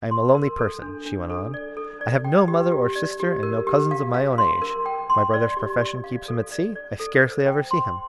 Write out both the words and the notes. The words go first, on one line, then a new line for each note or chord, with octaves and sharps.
I am a lonely person," she went on; "I have no mother or sister, and no cousins of my own age. My brother's profession keeps him at sea; I scarcely ever see him.
C6
A#4
A4
D4
D4
A4
D5
A4
D5
G5
G4
G4
D5
G4
A#4
G4
F5
F5
C6
A#4
G5
C6
D5
G4
D5
F5
A4
D5
D5
A4
C5
G5
C6